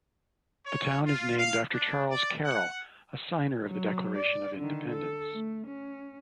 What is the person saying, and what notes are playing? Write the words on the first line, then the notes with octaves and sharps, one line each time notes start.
The town is named after Charles Carroll, a signer of the Declaration of Independence.
C#5
F4
F5
D4
D5
F#5
F#3
D5
D3 D#3
A4
A3
C#4